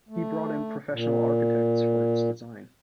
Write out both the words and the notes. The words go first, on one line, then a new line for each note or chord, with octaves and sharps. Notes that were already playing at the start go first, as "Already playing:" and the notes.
He brought in professional architects for its design.
A3
A#2